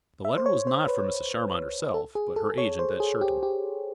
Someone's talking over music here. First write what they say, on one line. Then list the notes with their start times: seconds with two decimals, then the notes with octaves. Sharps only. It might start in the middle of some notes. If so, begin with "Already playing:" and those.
The letter was not from Mrs. Charmond herself, but her agent at Sherton.
0.25 E5
0.38 C5
0.46 C#5
0.67 C5
0.88 B4
1.94 A4
2.15 G#4
2.36 A4
2.58 C#5
2.79 C5
3.00 G#4
3.21 G4
3.43 G4